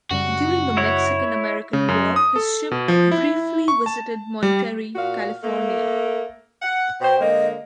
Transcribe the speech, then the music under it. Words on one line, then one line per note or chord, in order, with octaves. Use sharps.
During the Mexican-American War, his ship briefly visited Monterey, California.
F#2 C#3 G3 F#4
E4 C#5
C#3
F#2
D#6
A4
B2
F3
E4
C#6
A5
G3
A#2 F#4 F5
A3 A#3
F#5
B2 C5 G5
D3 G#3 A#3 D#5